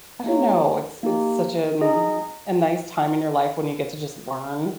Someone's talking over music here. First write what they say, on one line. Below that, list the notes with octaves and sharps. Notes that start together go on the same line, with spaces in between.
I don't know, it's it's such an mm a nice time in your life when you get to just learn,
A#3 D#4 G4 C#5
A#3 D#4 G4
D#4 G#4 D#5